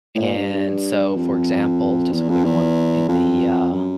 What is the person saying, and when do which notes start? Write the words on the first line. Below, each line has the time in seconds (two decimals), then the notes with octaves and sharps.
And so for example- just a quick one- the, uh
0.15 A2
0.22 A#2
0.37 G2
0.54 G2
1.17 F2
2.13 E2
2.29 F2
2.44 E2
3.08 F2
3.72 F#2